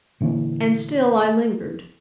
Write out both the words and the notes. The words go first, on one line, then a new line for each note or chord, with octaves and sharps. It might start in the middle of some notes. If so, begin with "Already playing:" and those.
And still I lingered.
A#2 D3 E3 A#3